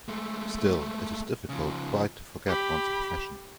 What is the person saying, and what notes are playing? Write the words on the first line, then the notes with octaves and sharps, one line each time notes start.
Still it is difficult quite to forget one's profession.
G#3 A3
C#3 F3
G4 B5